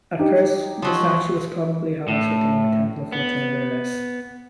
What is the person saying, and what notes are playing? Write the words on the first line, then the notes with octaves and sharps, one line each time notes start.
At first, the statue was probably housed within the temple to Fortuna Virilis.
D#4 G4
F3 F#3
A2
B3